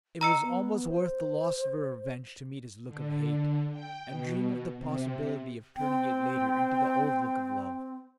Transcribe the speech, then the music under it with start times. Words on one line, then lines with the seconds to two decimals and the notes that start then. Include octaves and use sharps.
It was almost worth the loss of her revenge to meet his look of hate, and dream of the possibility of turning it later into the old look of love.
0.21 D#5 A#5 E6 C#7
0.42 B3
0.88 C5
2.87 D3
3.71 G5
4.05 B2
4.77 C3
5.76 C4 G5